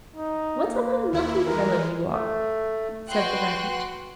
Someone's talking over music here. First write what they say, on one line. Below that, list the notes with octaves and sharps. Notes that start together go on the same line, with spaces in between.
"What an unlucky fellow you are!" said the rabbit.
D#4
A#3
D#2 A#3 E4
E3 G#3 A#4
A3
F#4 B4 G5 C6 F#6